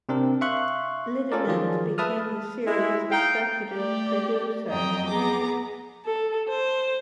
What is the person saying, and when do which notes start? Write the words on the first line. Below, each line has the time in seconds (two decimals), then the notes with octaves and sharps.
Liddiment became the series' executive producer.
0.09 C3 C4 D4 A#4
0.41 E5 F5 C6 C#6 F#6
1.32 C#4 F4 A4 A#4 D5
1.47 D#3 F3 F#3 F4 G#4 D5
1.98 B4 E5 A5 D#6 F6
2.67 G#3 E4
3.11 D#4 F5 G5
3.71 A3 G4 D5
4.69 F2 F#3 D#5 G5 A#5
5.09 B3 G#4 A#5 D6
6.06 A4
6.50 C5